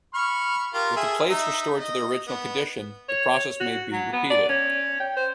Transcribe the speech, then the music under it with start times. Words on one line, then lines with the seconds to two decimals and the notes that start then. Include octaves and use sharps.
With the plates restored to their original condition, the process may be repeated.
0.14 B5 C#6 F6
0.74 F4 G4 A#4
0.96 G#4 A4 E5
1.30 D#4 E5
1.79 D#5
2.27 B3
3.09 C#5
3.60 F#4
3.92 F#3
4.13 B3
4.30 D5
4.49 C#4
5.00 G5
5.17 C5